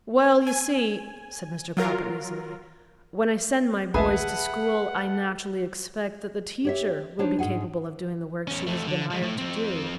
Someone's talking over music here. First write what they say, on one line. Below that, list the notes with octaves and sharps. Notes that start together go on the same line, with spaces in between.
"Well, you see," said Mr. Cropper easily, "when I send my boys to school I naturally expect that the teacher will be capable of doing the work she has been hired to do."
G#5
F#3 F4 A#4
A1 D2 G#4 B4 E5 F#5 A5
G4 C#5 E5
D4 D#4 C5 C#5
G#2 D#4 G#4 F#5 G#5
E2 C#4
F2 A3
D3
F3 G#3
A2 A3
F3 C4